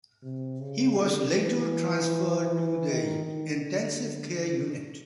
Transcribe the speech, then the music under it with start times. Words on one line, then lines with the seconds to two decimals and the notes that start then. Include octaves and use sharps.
He was later transferred to the intensive care unit.
0.23 C3
0.60 C#3
0.98 D3
1.36 E3
2.50 E3
2.88 D#3
3.25 D#3
3.63 D3